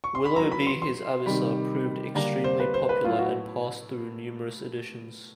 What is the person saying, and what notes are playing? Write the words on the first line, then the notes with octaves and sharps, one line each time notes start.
"Willobie his Avisa" proved extremely popular, and passed through numerous editions.
C#6
C6
B5
F#3 B3 E4 A#5
B5
C6
C6
C3 D#3 G3 B5
D3 G3 A#3 D4 A#5
C5
B4
C5
B4
A2 F#3 B3 E4 F4
F#4